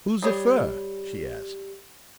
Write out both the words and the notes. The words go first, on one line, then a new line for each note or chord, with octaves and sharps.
"Who's it fur?" she asked.
G3 G#4 C#5